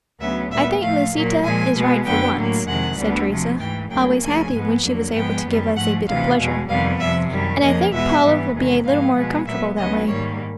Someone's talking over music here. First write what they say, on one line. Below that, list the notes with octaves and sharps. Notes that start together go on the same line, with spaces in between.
"I think Lisita is right for once," said Teresa, always happy when she was able to give us a bit of pleasure; "and I think Paula will be a little more comfortable that way."
D2 C#3 F#3 B3 E5
A#2 G3 B3 E5
A2 F3 A3 F5
A#2 F#3 A#3
A#2 F3 G#3 G#5
B2 G#3 B3
F#2 D3 F#3 B3 G5
A2 F#3 A#3
F2 C3 D#3 G#3 F#5
D2 D3 G3 B3
C3 F3 A3
G#2 E3 A3 G5
D2 C#3 F#3 A#3 G5
D2 C#3 F3 G#5
G#2 F3 G#3 B3
F2 D3 F#3 A#3
G#2 F3 G#3 B3 G5
F#2 D#3 G3
G#2 F3 A3 F#5
D2 C3 E3 F5
E2 B2 G#3
F2 C3 D#3 G3 B3 F5
F2 C3 F3 E5
F#2 D#3 G3
F2 C#3 F3 A#3 D#5
E2 B2 G#3 B3 E5
G#2 E3 G3 B3
E2 C3 D#3 G#3
G#2 F3 G#3 B3 F5
B2 G#3 B3
A#2 F#3 B3 E5
D2 C#3 F#3 B3 D#5
G#2 D#3 G3 A#3 C#5